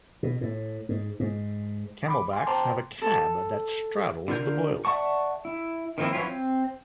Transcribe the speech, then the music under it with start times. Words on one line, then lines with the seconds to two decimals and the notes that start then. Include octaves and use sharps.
Camelbacks have a cab that straddles the boiler.
0.23 B2
0.41 A2
0.89 G#2
1.20 G#2
2.08 B5 D6
2.33 G#5 C6
2.47 C5 G5 A5 A#5 C6 D6
3.02 A4
4.28 D3 F4 A#4 G6
4.85 D5 E5 F#5 A5 C#6
5.45 E4
5.98 D#3 F3 A#3 C4 E4
6.13 E3 F#3 C#4 E4 F4
6.25 C4